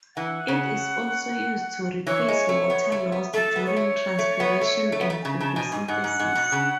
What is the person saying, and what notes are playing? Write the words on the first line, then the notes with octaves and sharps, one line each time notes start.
It is also used to replace water lost during transpiration and photosynthesis.
E3 F#5
C#3
E3 C#5
G#3
A3
B3
A3
B3
A3 A4
B3
C#5
A3
A3
B3
A3
A3
B3
A3
C#3
C#3 A5
B2 G#5
G#2 G#5
G#2 F#5
G#2
G#2
B2
C#3